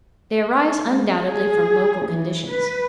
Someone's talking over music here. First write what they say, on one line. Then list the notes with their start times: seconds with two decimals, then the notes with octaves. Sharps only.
They arise undoubtedly from local conditions.
0.86 G#3
1.22 G#4
2.08 E3
2.49 B4